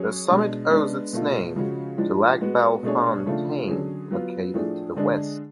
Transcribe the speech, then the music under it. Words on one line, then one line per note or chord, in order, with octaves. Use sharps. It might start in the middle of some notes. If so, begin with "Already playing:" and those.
The summit owes its name to Lac Belle Fontaine located to the west.
Already playing: F#3 C#4 G#4 C#5
B2 G#3 D4
G#3 B3 D4
B2 A3 F4
C#3 F3 G#3 C#4 F#4
A2 F3 G#3 D4
G#3 B3 F#4
B2 A3 D4 G#4 C#5
C#3 F3 A3 D4 F4
D3 F#3 C#4 G#4
F#3 B3 F4
A2 F3 A3 D4 G#4
D3 G#3 D4 G#4